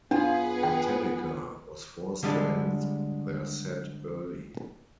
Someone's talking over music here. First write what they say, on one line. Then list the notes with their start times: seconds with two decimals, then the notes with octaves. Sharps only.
Metallica was forced to end their set early.
0.11 F#2 B3 D4 F4 G#4 B4
0.63 G5
2.23 D3 G3 G#3 D4